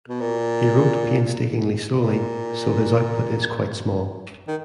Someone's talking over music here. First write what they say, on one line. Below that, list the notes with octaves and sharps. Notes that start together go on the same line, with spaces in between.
He wrote painstakingly slowly so his output is quite small.
B2
A#2
A#2
D#3